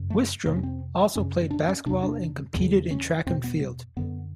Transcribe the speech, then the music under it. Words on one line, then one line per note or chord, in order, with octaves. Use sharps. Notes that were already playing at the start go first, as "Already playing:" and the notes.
Wistrom also played basketball and competed in track and field.
Already playing: F#2 C#3
A3
F2 C3 A#3
C#4
C4
F#2 C#3 C#4
D4
C#4
E2 C3 D4
D4
E2 C#3
C#4
E2 B2 C4
B3
F#2 D3 B3